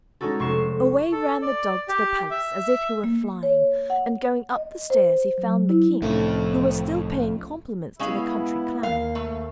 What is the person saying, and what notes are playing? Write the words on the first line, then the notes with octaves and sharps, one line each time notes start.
Away ran the dog to the palace as if he were flying, and going up the stairs he found the King, who was still paying compliments to the country clown.
G#3 C#4 D#4 F#4 A4
F1 C#6 C7 E7
A4
D5
G4
E5
A#3
C#5
F#5
D#5
C5
F#3
E4
C2 F2 A2 A3 C#4 D#4 A4
G#3 B3 C#4 E4 F5
D#2 A#3 F5
A3